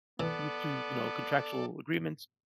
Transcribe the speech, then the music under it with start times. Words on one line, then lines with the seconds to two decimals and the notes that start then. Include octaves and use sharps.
due to, you know, contractual agreements
0.20 E3 B3 A4 D5